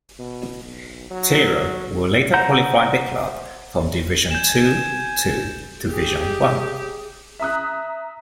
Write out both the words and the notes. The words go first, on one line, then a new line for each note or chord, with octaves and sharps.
Tiero will later qualify the club from division two to division one.
B2
B1
F#3
C5 F#5 A#5 G6
G#5 G6 E7
G4 G#4
E5 A#5 D#6 F#6